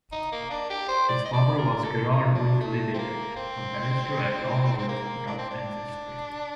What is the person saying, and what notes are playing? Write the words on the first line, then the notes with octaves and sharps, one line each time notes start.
His father was Gerard Wolfe Lydekker, a barrister-at-law with Dutch ancestry.
D#4
A#3
D4
G4
C5
D5
D#5
D5
A#4
A4
D#4
D4
A3
C4
A#3
C4
C4
A#3
D4
C4
D4